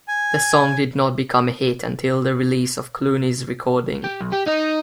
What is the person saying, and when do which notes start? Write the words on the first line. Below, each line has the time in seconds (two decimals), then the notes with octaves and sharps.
The song did not become a hit until the release of Clooney's recording.
0.08 G#5
4.04 G4
4.21 B1
4.32 G4
4.46 D#4 D#5